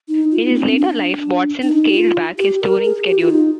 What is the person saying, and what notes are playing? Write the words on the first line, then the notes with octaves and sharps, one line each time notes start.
In his later life, Watson scaled back his touring schedule.
D#4
F4
D#4
A#3
C4
D4
D4
D4
D#4
G4
F4
G4
A#4
G#4
G4
F4
D#4